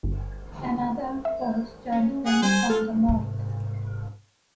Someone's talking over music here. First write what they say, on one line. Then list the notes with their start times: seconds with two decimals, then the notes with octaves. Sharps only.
Another force joined them from the north.
0.03 G1
1.25 E5
1.92 C#4
2.26 G#4 F#5 F#6
2.43 G3 C5 G#5
2.70 F4 A4
3.08 G#2 C3